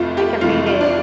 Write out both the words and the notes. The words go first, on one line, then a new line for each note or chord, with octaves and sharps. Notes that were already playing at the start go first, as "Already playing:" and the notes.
I could read it
Already playing: F1 F2 A3 F4
G4
F1 F2 E3 A3 F4
F4
D4